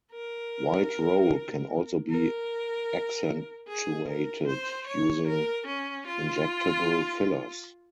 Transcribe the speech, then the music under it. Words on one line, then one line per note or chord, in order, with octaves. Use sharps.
White roll can also be accentuated using injectable fillers.
A#4
A#4
G#4
A#4
C5
C#5
A#4
C#4
F4